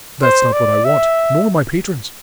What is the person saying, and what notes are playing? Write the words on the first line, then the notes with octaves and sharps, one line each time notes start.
That's not what I want, nor my patrons.
C5
D5
E5